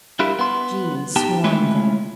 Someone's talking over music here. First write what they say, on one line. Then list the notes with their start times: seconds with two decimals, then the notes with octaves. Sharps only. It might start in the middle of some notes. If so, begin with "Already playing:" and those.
Genii swarm there.
0.19 G3 D4 E4 F4 G4 A#4
0.39 B3 C6
1.16 B3 D#4 G4 G5 A5
1.44 G#3 A3 C#4 E4 F4 C#5